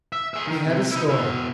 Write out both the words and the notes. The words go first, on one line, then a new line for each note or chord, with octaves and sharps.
He had his story.
E5
G#4 E5
D#3
C3
D#4 E4
B2 E5